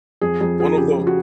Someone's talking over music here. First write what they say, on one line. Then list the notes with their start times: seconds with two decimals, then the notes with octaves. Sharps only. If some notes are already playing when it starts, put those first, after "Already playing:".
One of the
0.21 F2 G#4
0.41 F2 G#4
0.59 F3 G#4
0.78 C#3 G4
0.97 F3
1.07 F#4